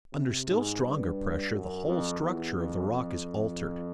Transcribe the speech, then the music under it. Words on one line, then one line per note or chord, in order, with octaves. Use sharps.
Under still stronger pressure the whole structure of the rock is altered.
C3
G#2
G2
F#2
F2
E2
F2
F2